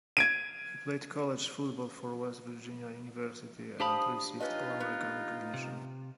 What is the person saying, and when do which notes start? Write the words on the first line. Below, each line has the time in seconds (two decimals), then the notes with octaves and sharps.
He played college football for West Virginia University, and received All-American recognition.
0.17 G#6 D7 D#7
3.80 D4 G4 C5 F5 A5 B5 D#6
4.40 C#4 D#4 F4 B4 D#5
4.80 B3
5.54 C3